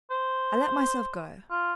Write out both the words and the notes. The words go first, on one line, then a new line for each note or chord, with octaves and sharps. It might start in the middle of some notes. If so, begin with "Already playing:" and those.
I let myself go.
C5
F4